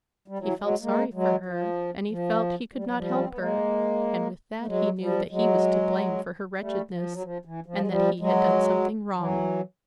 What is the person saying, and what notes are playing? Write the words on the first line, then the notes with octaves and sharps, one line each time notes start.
He felt sorry for her, and he felt he could not help her, and with that he knew that he was to blame for her wretchedness, and that he had done something wrong.
G3
E3 F#3
F#3 G#3
G#3 A#3
F#3 G#3
F3
F3
G3
F#3
F3 G3
C#4
C4
B3
G#3 A#3
A3
F#3 G#3
F3 G3
F#3 G#3
G3 A3
F3
F#3
F3
E3
F3
G#3
F3 G3
F#3 G#3
E3 F#3